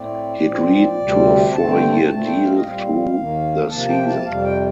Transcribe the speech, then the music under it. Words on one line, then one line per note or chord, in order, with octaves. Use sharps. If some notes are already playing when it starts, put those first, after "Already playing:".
He agreed to a four-year deal through the season.
Already playing: A2 A3 C4 D5
A#2 F3 C4
D2 C3 G3 C4
G2 D3 A3 C4 A5
G5
A5
A#2 A3 C4 A5
G5
F5
D#5
A#2 G3 C4 F5
D#2 D#3 A#3
C3 F3 A#3 A5
G5
A5
F2 C3 G3 F5
G5